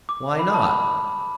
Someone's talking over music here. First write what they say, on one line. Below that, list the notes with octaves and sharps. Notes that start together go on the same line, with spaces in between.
"Why not?"
D6
B5
A5
B5